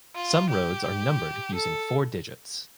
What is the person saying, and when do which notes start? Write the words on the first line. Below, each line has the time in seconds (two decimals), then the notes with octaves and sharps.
Some roads are numbered using four digits.
0.15 F4
0.50 G4
1.54 A4